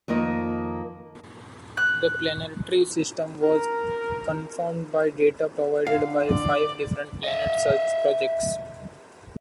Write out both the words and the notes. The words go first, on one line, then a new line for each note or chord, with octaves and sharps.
The planetary system was confirmed by data provided by five different planet search projects.
F2 D#3 A#3 F4 D#5
F#6
A#4
D3 F5
D5
D#5 E5